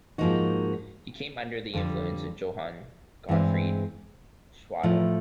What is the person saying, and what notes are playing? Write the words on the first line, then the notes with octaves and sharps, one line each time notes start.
He came under the influence of Johann Gottfried Schadow.
G#2 F3 A#3 D#4 F#4
F2 D3 G3
G2 E3 G#3 C4
A2 F3 A3